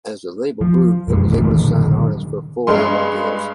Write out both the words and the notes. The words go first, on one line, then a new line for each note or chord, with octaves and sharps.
As the label grew, it was able to sign artists for full album deals.
F3
E1 F#2 G#3
E1 A1 D#3 A3
G2 A#2 D3 D#3
G2 G#3 C6